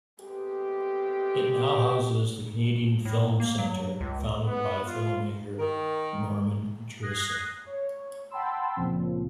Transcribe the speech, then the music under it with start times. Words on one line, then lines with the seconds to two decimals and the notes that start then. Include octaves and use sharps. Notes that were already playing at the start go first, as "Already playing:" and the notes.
It now houses the Canadian Film Centre, founded by filmmaker, Norman Jewison.
0.20 G#3 A3 B3 C4 G4
3.05 A2
3.40 A#3
3.59 F#3
4.01 C#2
4.46 B3
4.87 F4
5.58 D#3 A#4
7.02 D#6 F#6 G#6 A#6 C7
7.66 C#5
8.30 F#5 G5 A5 B5 C6 E6
8.76 C#2 A#2 C#3 F3 C4